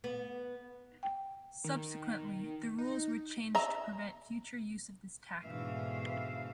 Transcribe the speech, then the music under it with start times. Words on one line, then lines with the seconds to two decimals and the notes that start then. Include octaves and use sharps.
Subsequently, the rules were changed to prevent future use of this tactic.
0.04 B3
1.03 G5
1.64 D#3
2.78 D#4
3.55 D#5 E5 A#5
5.45 G#2 B2 D3 E3 E5 F5